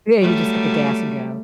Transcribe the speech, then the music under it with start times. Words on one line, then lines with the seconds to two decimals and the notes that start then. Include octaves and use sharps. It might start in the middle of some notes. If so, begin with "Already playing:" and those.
Yeah, you just hit the gas and go.
0.21 F#3 G3 A3